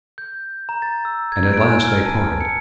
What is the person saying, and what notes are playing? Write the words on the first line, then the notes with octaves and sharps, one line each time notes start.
And at last they parted.
G6
A#5
A6
E6
G#6
D7
G#5
F6
A5
F6
C#7